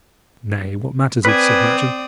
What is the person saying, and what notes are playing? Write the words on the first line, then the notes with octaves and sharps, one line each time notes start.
"Nay, what matters it?" said Matcham.
C4 B4 D5 G#5 D#6